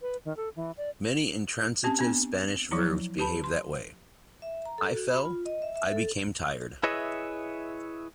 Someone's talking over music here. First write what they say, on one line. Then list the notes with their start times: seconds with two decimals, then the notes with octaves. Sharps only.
Many intransitive Spanish verbs behave that way: ', I fell; ', I became tired.
0.02 B4
0.25 D#3
0.37 A4
0.56 E3
0.77 D5
1.84 C4 C#4 G4 A5
1.99 B3 C4 D4
2.71 F3 F#3 E4 A#5
3.19 G4 B4 A5 B5
3.44 C6
4.42 E5
4.66 A#5
4.78 A4
4.94 F#4
5.10 B5
5.25 F4
5.46 D#5
5.62 E5
5.76 E5
5.92 A4
6.83 E4 G#4 B4 C#5 D#5 E5